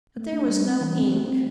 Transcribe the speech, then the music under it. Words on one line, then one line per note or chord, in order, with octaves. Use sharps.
But there was no ink.
A3
D4
G3
C4
E3
C4
A3
C4